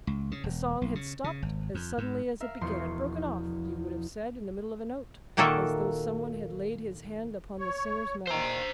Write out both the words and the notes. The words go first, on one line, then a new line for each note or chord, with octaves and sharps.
The song had stopped as suddenly as it began--broken off, you would have said, in the middle of a note, as though someone had laid his hand upon the singer's mouth.
C#2
C#3
E1
B1
C#3
C#3
G#1
F2
G#2
A#4 E5 F5
E1 E2 F3 C6 C#6 C7
A#2 D#3 A#3 F#4 A4 E5
C#5
A#2 D#3 C5 A#5